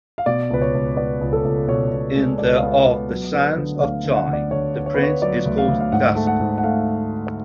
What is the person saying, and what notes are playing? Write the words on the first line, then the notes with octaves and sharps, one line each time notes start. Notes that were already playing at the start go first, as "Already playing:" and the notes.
In the of "The Sands of Time", the prince is called Dastan.
F5
B2 D5
C#2 B4
C#5
C#2
B3 D5
C#2
A4
C#2
B2 C#5
B2
G#3
C#2 D5
F5
B3
B3
F#3
B3
D3
D2 F5
D3
F#5
D2
D5
D3 C#5
B3
C#5
B4
B3
C#5
F#3 D5
D2
F5
D2
F5
G#2 F#5
A3
F#5
G#2
F#5
A3 F5